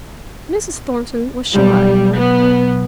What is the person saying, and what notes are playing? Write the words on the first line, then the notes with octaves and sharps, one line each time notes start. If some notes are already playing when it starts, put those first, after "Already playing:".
Mrs. Thornton was shy.
B1 G3
B3